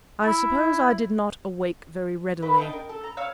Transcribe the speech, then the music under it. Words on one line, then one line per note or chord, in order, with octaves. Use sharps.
I suppose I did not awake very readily.
E4
B4 E5 G5
D4 D#4 G5
A#4
A4
A#5
C#5 F5 E6